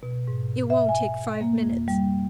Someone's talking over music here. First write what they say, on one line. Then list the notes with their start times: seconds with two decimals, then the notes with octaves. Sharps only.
It won't take five minutes.
0.03 B2
0.27 G#2
0.70 E5
0.89 G#5
1.41 A#3
1.63 F2
1.88 G3